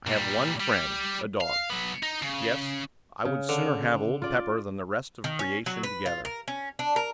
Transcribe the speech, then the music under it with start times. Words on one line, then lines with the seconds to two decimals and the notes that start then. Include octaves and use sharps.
I have one friend, a dog; yes, I would sooner have old Pepper than the rest of Creation together.
0.07 A#2 G3
0.60 G3
1.41 F5
1.70 F#3 B3
2.03 D#4
2.22 C#3
3.25 C#3
3.49 D3
4.22 F4 D5
5.24 D#3
5.39 C#4
5.66 F#3
5.83 B4
6.06 F4
6.25 A#4
6.48 C#4
6.79 D4
6.96 A#4